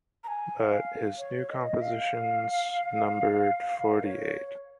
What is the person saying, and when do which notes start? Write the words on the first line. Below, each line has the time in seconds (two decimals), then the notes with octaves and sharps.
But his new compositions numbered forty-eight.
0.24 A#5
0.28 G#5
0.55 G#5
0.60 F5
1.18 C#5
1.50 D#5
1.82 F5
3.93 A#4
4.04 C#5